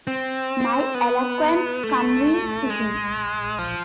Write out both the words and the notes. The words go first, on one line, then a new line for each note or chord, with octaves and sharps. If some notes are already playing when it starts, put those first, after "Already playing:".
My eloquence convinced him.
C4
B3
A3
G#3
F3